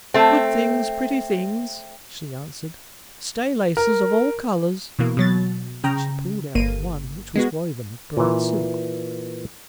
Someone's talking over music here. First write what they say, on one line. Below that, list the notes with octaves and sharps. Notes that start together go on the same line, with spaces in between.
"Good things, pretty things," she answered; "stay-laces of all colors," and she pulled out one which was woven of bright silk.
A3 C4
A#4
B2 E3 A#3
B2 F#3 A6
C#3 G5 A#5
G1 A#3 D#7
G#3 B3 F#4
A#2 E3